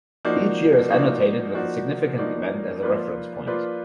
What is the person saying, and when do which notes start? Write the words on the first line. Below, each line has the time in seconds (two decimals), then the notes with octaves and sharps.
Each year is annotated with a significant event as a reference point.
0.25 F3 A#3 D#4 F#4 D5
0.89 F3 A#3 D#4 F#4 D5
1.53 F3 A#3 D#4 F#4 D5
2.18 F3 A#3 D#4 F#4 D5
2.82 F3 A#3 F4 B4 D5
3.46 F3 A#3 F4 B4 D5